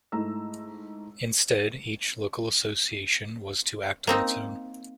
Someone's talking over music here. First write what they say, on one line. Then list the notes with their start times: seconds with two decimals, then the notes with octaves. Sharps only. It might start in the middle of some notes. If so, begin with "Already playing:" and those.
Instead, each local association was to act on its own.
0.12 G#2 A3 E4 A#5 E6
4.07 A#3 C4 D#4